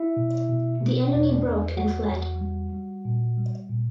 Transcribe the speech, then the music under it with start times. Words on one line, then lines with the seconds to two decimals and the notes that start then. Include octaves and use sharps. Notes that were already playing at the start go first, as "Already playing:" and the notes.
The enemy broke and fled.
Already playing: E4 E5
0.17 B2
0.49 B2
0.80 B2
1.13 E2 D5
1.21 C#5
1.30 D4 D5
1.45 E2
1.76 F#3 F#4 F#5
2.09 E2
2.41 G3
2.73 G3
3.05 A#2
3.37 G3
3.70 A#2